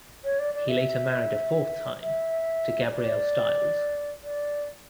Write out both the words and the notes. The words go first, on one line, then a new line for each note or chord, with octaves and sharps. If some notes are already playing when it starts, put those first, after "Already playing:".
He later married a fourth time, to Gabrielle Styles.
C#5
D5
D5
E5
E5
D5
D5